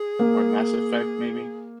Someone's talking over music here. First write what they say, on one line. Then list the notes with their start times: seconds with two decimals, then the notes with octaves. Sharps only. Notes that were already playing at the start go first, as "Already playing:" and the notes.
Or Mass Effect, maybe.
Already playing: G#4
0.19 A#3